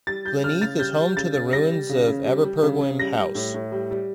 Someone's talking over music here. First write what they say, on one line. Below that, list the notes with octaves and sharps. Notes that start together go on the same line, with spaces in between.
Glynneath is home to the ruins of Aberpergwm House.
G3 A6
G3 G6
C#3 F6
C#3 A6
G3 G6
G3
C#3 A6
C#3
G3 A#6
G3
C#3
C#3
G3
G3
C#3
C#3
G3 A#6
G3
A2
A2
G3
G3